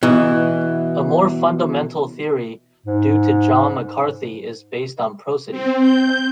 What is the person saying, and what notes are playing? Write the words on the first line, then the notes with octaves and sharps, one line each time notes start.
A more fundamental theory due to John McCarthy is based on prosody.
B2 E3
G#2
C4
G6